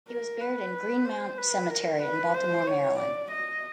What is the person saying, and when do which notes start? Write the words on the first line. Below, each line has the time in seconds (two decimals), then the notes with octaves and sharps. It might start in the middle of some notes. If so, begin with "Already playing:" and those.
He was buried in Green Mount Cemetery in Baltimore, Maryland.
0.09 A#4
0.41 B4
1.05 C5
1.38 B4
1.70 A#4
2.02 B4
2.34 C5
2.66 C#5
2.99 D5
3.31 D#5